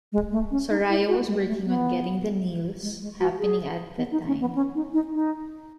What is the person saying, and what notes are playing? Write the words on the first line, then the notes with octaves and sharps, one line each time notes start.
Soria was working on getting the Nils happening at the time.
G#3
A3
C#4
D#4
E4
F#4
G#3
A3
B3
G#3
G#3
F#4
G#4
B3
D#4
C#4
B3
C#4
D#4
D#4
D#4